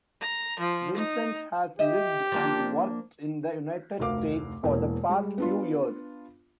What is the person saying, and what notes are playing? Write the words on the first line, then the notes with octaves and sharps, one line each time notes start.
Vincent has lived and worked in the United States for the past few years.
A#5
F3
D#4
G4 D#5 E5
F3 A#3 D4
F1 D2 A#4 F5 D6
E1 E2 A#3
G3 G#3
B3 D4 F4